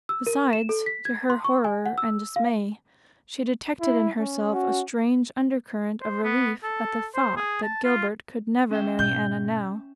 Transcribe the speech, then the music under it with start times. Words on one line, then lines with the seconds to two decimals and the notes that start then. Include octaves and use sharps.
Besides, to her horror and dismay, she detected in herself a strange undercurrent of relief at the thought that Gilbert could never marry Anna now!
0.09 E6
0.27 A#4
0.53 E7
0.69 A4
0.86 B6
1.05 G#6
1.30 C6
1.44 C#6
1.64 G#5
1.86 F#5
1.98 E6
2.36 F5
3.81 E4
4.19 C#4
4.53 F#4
6.02 C5
6.24 B3
6.63 A4
7.15 C5
7.37 G#4
7.63 A5
7.84 F4
8.71 C#4 E5 G5
8.99 G#2 B2 G6